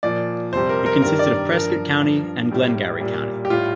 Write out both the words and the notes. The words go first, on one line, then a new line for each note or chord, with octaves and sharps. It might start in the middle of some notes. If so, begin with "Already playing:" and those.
It consisted of Prescott County and Glengarry County.
A#2 F3 D5
F2 C3 G3 C5
A#4
A#4
G2 D#3 G3 A#4
D5
G2 F3 A#4
G2 F3
A2 G3
A#2 G3
G4
A2 G3 F4